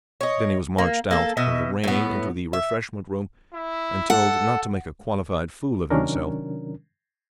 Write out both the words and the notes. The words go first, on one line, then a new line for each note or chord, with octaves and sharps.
Then he was marched out of the rain into the refreshment-room and told not to make a qualified fool of himself.
C#5 D#5
A#3
A#3 A4
B2 D#5 E5
A2 B3
E5
E4
A4 F#5
C3 D#3 F#3 C#4 D4 A#4